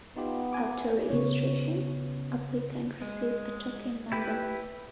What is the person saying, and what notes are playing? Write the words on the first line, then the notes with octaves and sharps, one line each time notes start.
After registration, applicant receives a token number.
B3 D#4 F4 G4
G#5 D6
C#3 B3 C#5
G#3
E4 G4 B4 B5